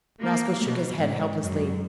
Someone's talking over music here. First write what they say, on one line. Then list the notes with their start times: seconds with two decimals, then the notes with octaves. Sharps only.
Roscoe shook his head helplessly.
0.24 A#3
0.66 B2
1.00 G#2
1.43 F#2